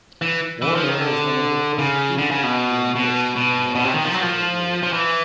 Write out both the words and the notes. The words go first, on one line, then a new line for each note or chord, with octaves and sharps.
Warner was one of the first people to enlist in the American Civil War.
E3
E3
F3
D#3
D3
C#3
D3
C#3
B2
B2
B2
B2
C3
D#3
F3
F#3
F3
F3
E3